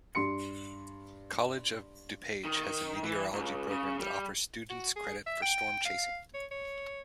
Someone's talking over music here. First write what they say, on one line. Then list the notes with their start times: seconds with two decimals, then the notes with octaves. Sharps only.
College of DuPage has a meteorology program that offers students credit for storm chasing.
0.15 G2 C6 C#7
2.45 D#3
3.04 E3
3.33 C#2
3.69 C#3
4.00 G3
4.70 F#4
4.96 G#4
5.27 E5
5.42 G5
5.86 F5
6.34 C#5
6.51 C#5